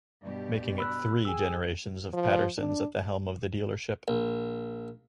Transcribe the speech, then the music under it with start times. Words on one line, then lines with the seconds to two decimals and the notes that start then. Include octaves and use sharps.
Making it three generations of Pattersons at the helm of the dealership.
0.23 G2 B2 G4 D5
0.78 B5 E6 F#6
1.25 G#4 G5 G#5 E6
2.13 F3
2.58 D4
4.08 A#1